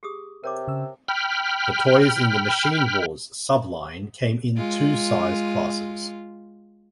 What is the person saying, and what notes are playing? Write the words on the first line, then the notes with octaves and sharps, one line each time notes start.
The toys in the Machine Wars subline came in two size classes.
G4 G#4 D#6
C3 A#4 C#5 D6
C#3 E6
G5 B5 F6
G#3 F4